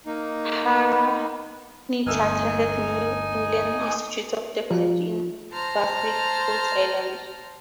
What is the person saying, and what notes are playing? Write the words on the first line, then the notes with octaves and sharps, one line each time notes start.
Hannity attended New England Institute of Technology at Warwick, Rhode Island.
A#3 D#4
G1 D2 A3 D#4 G#5 E6 F6
F3
C5 A5 A#5 F6